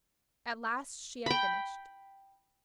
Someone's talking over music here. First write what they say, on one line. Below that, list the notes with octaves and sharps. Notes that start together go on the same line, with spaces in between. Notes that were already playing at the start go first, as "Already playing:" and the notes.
At last she had finished.
G5 B5